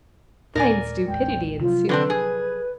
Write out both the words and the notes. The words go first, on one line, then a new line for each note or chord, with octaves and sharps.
Fine stupidity, in sooth!
D#2 A#2 A#4 D5 G#5
A1 D#2 G#3 G5
C3 F3 F#3 F4
D3 C4 D4 B4
G#4